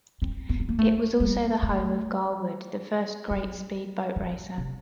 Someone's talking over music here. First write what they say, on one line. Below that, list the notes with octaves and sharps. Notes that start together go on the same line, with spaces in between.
It was also the home of Gar Wood the first great speed boat racer.
C4
B3
B3
A#3
A3
G3
A3
F#3
F3
C3